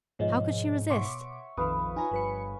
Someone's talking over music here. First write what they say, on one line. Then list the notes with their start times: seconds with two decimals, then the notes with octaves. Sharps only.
How could she resist.
0.19 G#2 B2 F3 G#3 C#5 D#5
0.90 B2 C#5 E5 F#5 C6 D6
1.57 A#1 F2 D#3 B4 F5 B5 D#6
1.96 D#4 F4 C#5 G#5 A#5
2.11 G1 F3 B4 C#7